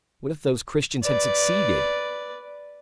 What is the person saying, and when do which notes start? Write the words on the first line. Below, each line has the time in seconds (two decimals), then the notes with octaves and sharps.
What if those Christians had succeeded!...
1.03 B4 D5